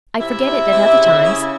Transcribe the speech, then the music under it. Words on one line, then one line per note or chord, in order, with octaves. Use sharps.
I forget it at other times.
C3 E4 E5
C3
C3
C#3
C#3